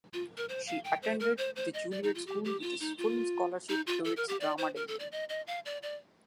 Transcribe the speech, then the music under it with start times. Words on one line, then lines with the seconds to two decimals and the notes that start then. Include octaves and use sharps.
She attended the Juilliard School with a full scholarship to its drama division.
0.14 F4
0.37 A#4
0.49 C5
0.67 F5
0.84 G5
1.03 C5
1.20 A#4
1.38 C5
1.56 C5
1.74 D#5
1.91 D5
2.03 D#4
2.15 F4
2.27 G4
2.45 G4
2.62 F4
2.80 D#4
2.98 F4
3.69 D#4
3.87 F4
4.05 A4
4.17 A#4
4.28 G4
4.40 D5
4.58 C5
4.76 A#4
4.88 A4
5.00 D5
5.12 D#5
5.29 D#5
5.47 F5
5.66 D5
5.83 D5